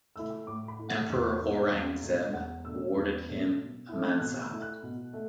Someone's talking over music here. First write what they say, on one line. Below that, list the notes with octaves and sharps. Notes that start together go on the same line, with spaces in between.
Emperor Aurangzeb awarded him a Mansab.
A3 E4 E6
A2 D6
B5
A3 E4
F#5
E2 E5
B2 A3 D4
E2
B2 A3 D4
E2 F#5
B2 A3 D4 E6
E2
B2 A3 D4
B2
A3 E4
B2 F#6
E6
A3 E4
F#6
B2
A3